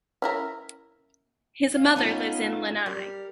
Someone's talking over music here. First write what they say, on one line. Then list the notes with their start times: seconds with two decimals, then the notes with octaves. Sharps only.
His mother lives in Lanai.
0.22 C#4 E4 A#4
1.77 F5
1.96 B3 C#4 D#4 F4
2.86 G3 A#4